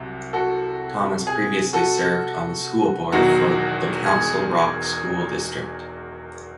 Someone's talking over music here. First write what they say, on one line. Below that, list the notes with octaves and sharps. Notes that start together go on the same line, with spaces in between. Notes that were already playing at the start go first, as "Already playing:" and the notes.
Thomas previously served on the school board for the Council Rock School District.
Already playing: C2 C3 F#3
F#4 A4
G#4
F#4 A4
E1 E2 D#3 F#3 F#4
G#4